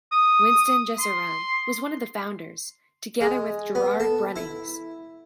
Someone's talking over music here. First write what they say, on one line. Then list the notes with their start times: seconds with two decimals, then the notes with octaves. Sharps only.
Winston Jessurun was one of the founders, together with Gerard Brunings.
0.12 D#6
0.99 C6
3.21 G#3
3.75 B3
4.00 A4
4.36 E4